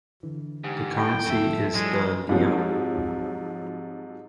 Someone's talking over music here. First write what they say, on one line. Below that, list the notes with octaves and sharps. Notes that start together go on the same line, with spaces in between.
The currency is the leone.
D3 E3
G#2 G4
G5
C2 F2 A2 C#3 A4 E5
A2 F3 G3 G#3
G#2 C3 F3 F#3